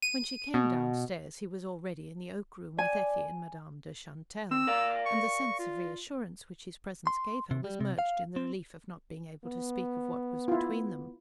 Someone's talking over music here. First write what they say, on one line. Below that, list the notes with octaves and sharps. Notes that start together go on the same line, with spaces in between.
When she came downstairs he was already in the oak-room with Effie and Madame de Chantelle, and the sense of reassurance which his presence gave her was merged in the relief of not being able to speak of what was between them.
D#7
B2
D5 G#5
C4 E6
A#4 D5 F5
C#6
F4
C6
C3
G3
C3
F5
C4
B3
E4 F4